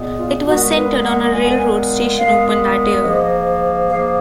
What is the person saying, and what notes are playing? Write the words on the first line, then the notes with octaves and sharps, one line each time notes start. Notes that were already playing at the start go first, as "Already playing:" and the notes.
It was centered on a railroad station opened that year.
Already playing: A#2 G#3 B3
F4
A#2 G#3 B3 F#4
B4
F#5
A#2 G#3 B3 G#5
A#2 G#3 B3 F5
G#2 F3 A#3 D#5
G#2 F3 A#3 F5